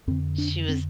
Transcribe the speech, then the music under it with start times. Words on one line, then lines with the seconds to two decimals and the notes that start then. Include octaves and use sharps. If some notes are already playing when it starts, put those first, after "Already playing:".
She was
0.08 F2 D3 C4
0.38 D4
0.69 C4